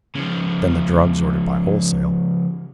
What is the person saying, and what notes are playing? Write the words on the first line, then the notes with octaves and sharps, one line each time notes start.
Then the drugs ordered by wholesale.
C#3 F3